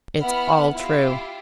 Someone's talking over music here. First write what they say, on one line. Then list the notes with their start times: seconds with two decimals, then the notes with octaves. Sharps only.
"It's all true."
0.20 B3 E4 F#5 B5 F6
0.74 E4 F4 G4